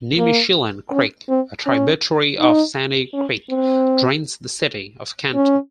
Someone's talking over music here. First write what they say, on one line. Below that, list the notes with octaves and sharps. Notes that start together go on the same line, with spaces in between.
Nimishillen Creek, a tributary of Sandy Creek, drains the city of Canton.
A#3
C#4
C4
C#4
D#4
C#4
C4
C#4